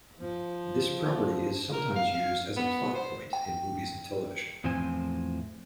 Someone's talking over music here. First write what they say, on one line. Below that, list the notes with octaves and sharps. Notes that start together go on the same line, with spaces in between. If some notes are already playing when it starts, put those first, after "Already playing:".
This property is sometimes used as a plot point in movies and television.
F3
A#4
F5
F5
B3
C5
G5
E2 A2 F3 C4 C5 G#5